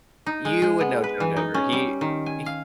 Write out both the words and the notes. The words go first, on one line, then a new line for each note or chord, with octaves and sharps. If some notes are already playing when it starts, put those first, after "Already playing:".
You would know John Denver. He h
D#4
G#3
G#3
B3
B4
E3
D#4
C#4
G3
D#3
G#5
F5